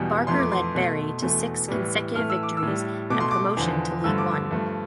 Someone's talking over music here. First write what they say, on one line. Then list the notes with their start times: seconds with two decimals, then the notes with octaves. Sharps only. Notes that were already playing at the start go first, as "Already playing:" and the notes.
Barker led Bury to six consecutive victories and promotion to League One.
Already playing: E2 B2 G3
0.27 F2 E3 A3 C6
0.39 D6
0.52 C6
0.75 B2 A3
1.22 E2 B2 A3
1.68 A2 E3 G3
2.15 A2 E3 A3 F6
2.30 E6
2.43 D6
2.57 E6
2.63 A2 G3
3.10 B2 A3 D6
3.20 C6
3.31 D6
3.57 E2 D3 F3
4.04 G2 D3 F3 A3 E6
4.18 D6
4.31 E6
4.51 G2 F3 A3